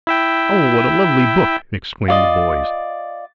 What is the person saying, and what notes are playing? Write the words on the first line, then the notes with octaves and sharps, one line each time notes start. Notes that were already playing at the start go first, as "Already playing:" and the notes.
"Oh, what a lovely book!" exclaimed the boys.
E4 E5 G5
F4 D5 D#5